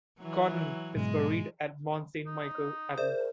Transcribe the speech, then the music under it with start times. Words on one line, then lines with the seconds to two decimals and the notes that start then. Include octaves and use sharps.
Conan is buried at Mont Saint-Michel Abbey.
0.21 E3 F#3
0.95 G#2 B2 F#3 G#3
2.26 D#4
2.98 G#4 A#4 C5 D5 E5